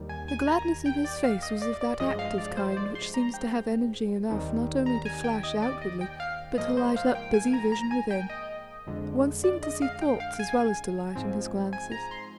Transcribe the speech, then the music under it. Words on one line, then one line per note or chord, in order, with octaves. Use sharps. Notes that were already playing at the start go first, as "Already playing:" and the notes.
The gladness in his face was of that active kind which seems to have energy enough not only to flash outwardly, but to light up busy vision within: one seemed to see thoughts, as well as delight, in his glances.
Already playing: D#2 D#3 G3
G#5
G#5
G#5
A#5
G5
D5
F5
D#5
D5
D5
G2 F3 G#3 D#5
F5
D5
C5
C5
D5
C6
A#5
G5
D#2 D#3 G3 C4
A#5
G#5
G5
D#5
D5
D#5
G5
F5
G#2 F3 A#3 D#5
C5
F5
G5
G#5
A#5
A#5
G#5
G5
D#5
F2 D3 G#3 D4
D5
D#5
F5
G5
F5
G#5
G#2 F3 C4
G#5
A#5
C6